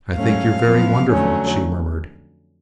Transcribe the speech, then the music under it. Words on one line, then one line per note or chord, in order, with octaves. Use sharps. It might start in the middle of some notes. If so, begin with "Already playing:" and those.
"I think you're very wonderful," she murmured.
G#2 F#3 A3 C#4 F5
F#2 F3 B3
F2 D3 F#3 A3 C#4